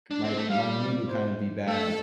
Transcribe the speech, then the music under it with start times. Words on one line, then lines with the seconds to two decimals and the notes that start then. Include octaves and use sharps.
my my mood would kind of be bad,
0.11 D4
0.24 C4
0.37 A3
0.50 G3 F5
0.80 D5
1.08 C5
1.67 A3 A4